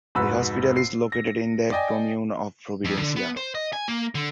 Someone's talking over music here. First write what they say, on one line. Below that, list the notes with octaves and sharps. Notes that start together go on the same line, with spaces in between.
The hospital is located in the commune of Providencia.
F1 G#2 F#4 B4 B5 E6
C7
A#6
D5 D#5 G5 G#5
F2
D3
B3
C5
D#5
G#5
A#3
D3